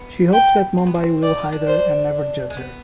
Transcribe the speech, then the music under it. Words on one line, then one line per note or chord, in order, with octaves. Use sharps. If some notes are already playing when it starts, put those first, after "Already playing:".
She hopes that Mumbai will hide her and never judge her.
Already playing: B3
G5
C4
B3
C4
D#4 D5
D#4
D4
C5
G#3
B3